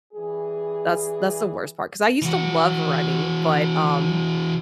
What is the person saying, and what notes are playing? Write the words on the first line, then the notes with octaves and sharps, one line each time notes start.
that's that's the worst part. 'Cause I used to love running, but, um,
E3 G3 G#4
E3 F#4